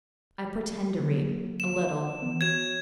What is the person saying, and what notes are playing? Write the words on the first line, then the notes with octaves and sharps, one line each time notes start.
I pretend to read--a little.
D3 F#3 A#3
E7
E3 B3
F#4 C#5 G#6 E7